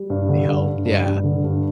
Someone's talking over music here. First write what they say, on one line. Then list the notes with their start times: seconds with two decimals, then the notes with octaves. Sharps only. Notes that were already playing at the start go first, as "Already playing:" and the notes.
they helped yeah.
Already playing: G3
0.10 G2
0.28 D3
0.47 G2
0.66 G2
0.85 G2
1.05 G2
1.24 D3
1.44 G2